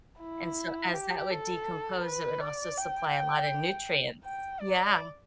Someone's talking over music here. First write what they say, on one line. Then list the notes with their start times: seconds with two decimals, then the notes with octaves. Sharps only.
and so as that would decompose it would also supply a lotta nutrients. Yeah.
0.21 E4
0.94 G4
1.31 A4
2.04 B4
2.40 D5
2.77 G5
4.24 G5
4.60 D5